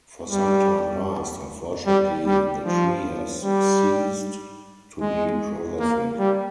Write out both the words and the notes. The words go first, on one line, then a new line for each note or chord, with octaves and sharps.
For some time past, unfortunately, the tree has ceased to be prolific.
G3
G3
G3
F3
G3
G#3
A#3
G3